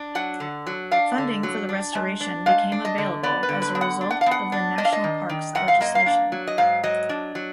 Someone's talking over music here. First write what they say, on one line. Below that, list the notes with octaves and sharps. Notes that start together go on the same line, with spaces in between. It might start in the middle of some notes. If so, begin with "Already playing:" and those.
Funding for the restoration became available as a result of the National Parks legislation.
Already playing: D4
F#3 F#5
D3
F#3
D4 F5
D3
F#3
D4
G#3
D4
G#3 F5
D4
D#5
D3
B3 D5
B4
D3
B4
B3
F#5
D4
F#5
F5
B3
F#5
D4
D4 D#5
F5
D#5
D#3
D#3
F#2 F#5
F5
A#3 D#5
F5
D4
F#3
D#5
G#2 F5
F#3 D#5
D4
F#3